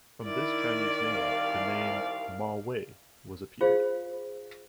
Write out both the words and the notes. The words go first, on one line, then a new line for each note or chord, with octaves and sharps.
From this Chinese name, the name Ma Wei was appeared.
D#3 E4 D5
C2 F5
F4 G#4 C5 F5